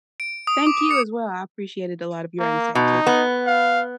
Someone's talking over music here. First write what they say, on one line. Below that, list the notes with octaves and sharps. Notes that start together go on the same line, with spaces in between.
Thank you, as well, I appreciated a lot of your insight, too.
D7
D#6
D6
C#7
A#3
B2 D#4
B3
F5